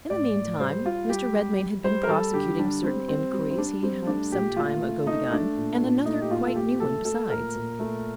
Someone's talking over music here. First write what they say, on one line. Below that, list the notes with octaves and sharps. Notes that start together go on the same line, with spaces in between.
In the meantime Mr. Redmain had been prosecuting certain inquiries he had some time ago begun, and another quite new one besides.
A2 D5
A2
G3 C5
G3 F4
G3 G4
G3
G3
G3 C5
A#4
G3 A4
D3 G4
G3 D4
G3 C4
G3 C4
G3
C4
G3 D4
G3 C4
A3 D4
A#2 G4
A3 F4
A3
A3 D#4
A3 D4
A#2
A#2
A3 D#4
G4
A#2 F4
A4
A3 G4
A3 A4
A3 A4
A#2 A#4
A#2
A3